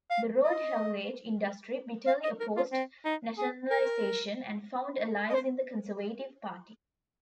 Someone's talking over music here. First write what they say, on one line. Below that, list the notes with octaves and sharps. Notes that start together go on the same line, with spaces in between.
The road haulage industry bitterly opposed nationalisation, and found allies in the Conservative Party.
F5
D#5
F5
D#5
A#4
F4
C4
D#4
G#4
A#4
D#5
C5